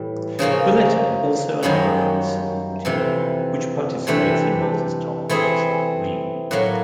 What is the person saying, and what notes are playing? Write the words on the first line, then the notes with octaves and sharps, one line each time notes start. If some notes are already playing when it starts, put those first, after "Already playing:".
Valletta also have a futsal team which participates in Malta's top futsal league.
Already playing: A2 E3 G3
C#3 F3 A#3 C#4
F#2 D#3 G3 A#3 C#4
F2 C3 E3
C3 E3 A3 D4 G4
E3 A3 C4 E4 G#4
A2 F#3 A#3